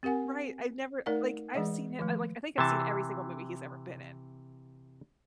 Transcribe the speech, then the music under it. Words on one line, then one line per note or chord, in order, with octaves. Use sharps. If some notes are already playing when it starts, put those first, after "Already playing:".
Right, I've never like, I've seen I like, I think I've seen every single movie he's ever been in
C4 G4 A#4 F#5 G#5
A3 D#4 A#4 C#5 D5 F#5
E3 G#3 G#4 D5 D#5 F#5
D#3 F3 A3
C3 E3 A5